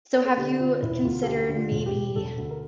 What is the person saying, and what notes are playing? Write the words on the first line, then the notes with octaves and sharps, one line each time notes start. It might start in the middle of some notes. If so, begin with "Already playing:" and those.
so, have you considered, maybe,
A#4
A4
D3 G4
D3 F4
E1 E4
D2 F4
A4
D2 G4
D3
F4
E1
G4
E1
E1 A4
D2
A#4